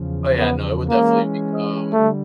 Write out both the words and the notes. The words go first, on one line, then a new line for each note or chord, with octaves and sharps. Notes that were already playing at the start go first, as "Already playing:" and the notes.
Oh, yeah, no, it would definitely become
Already playing: E2 C#3 F3
B3
E3 G#3 A#3 C#4
D3 G3 A3